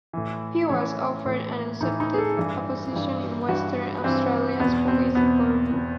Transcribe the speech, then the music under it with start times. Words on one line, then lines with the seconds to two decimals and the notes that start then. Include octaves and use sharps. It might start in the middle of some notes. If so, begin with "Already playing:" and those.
He was offered and accepted a position in Western Australia's police department.
0.13 A2 E3
0.69 A2 E3 C#4
1.25 A2 E3
1.81 A2 E3 D#4
2.00 D#4
2.14 G#4
2.18 A4
2.37 G2 E3
2.93 G2 E3
3.48 G2 E3 F#4
4.04 G2 E3 C4
4.60 E2 B2 B3
4.88 C4
5.15 E2 B2 B3
5.72 E2 B2